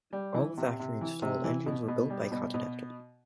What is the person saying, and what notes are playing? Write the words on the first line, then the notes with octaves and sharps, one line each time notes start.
All factory-installed engines were built by Continental.
G3
E3
C3
C3
E3
C3
E3
B2
B2
G3
B2
B2